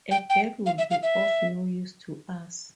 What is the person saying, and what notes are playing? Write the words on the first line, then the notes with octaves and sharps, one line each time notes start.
A girl would be of no use to us.
G5
G5
F5
E5
F5
E5